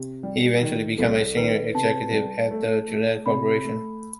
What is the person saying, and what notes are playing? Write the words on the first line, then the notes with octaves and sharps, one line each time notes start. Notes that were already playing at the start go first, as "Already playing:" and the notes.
He eventually became a senior executive at the Gillette Corporation.
Already playing: C3 G4
G3
D#3
C2 A4
D#3 B4
C3 A5
G3
A3
A3
C3 B5
A3